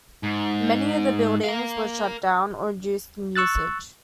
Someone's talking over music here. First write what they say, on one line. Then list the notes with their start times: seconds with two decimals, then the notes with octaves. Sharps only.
Many of the buildings were shut down or reduced in usage.
0.23 G#2
1.44 A#4 F5
3.36 C#6 E6 F#6 A6